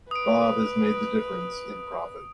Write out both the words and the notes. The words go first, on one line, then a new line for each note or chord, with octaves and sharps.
Bob has made the difference in profit.
B4 D#6 D7